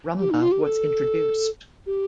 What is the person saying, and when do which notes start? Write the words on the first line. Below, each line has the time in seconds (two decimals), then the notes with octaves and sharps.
Rumba was introduced.
0.20 G4
0.31 D#4
0.42 F4
0.52 G4
0.62 A4
1.86 G4